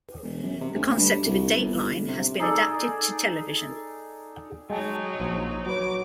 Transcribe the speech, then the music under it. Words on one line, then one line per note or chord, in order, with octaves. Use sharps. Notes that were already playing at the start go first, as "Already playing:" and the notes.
The concept of a dateline has been adapted to television.
E1
F#2
C3
D2
G2
C2
G1
C3
D#4 G#4 A4 D5
F#3 G#3 D#4 G5 A5
A#1 C5
F#3 B4 C#5 D6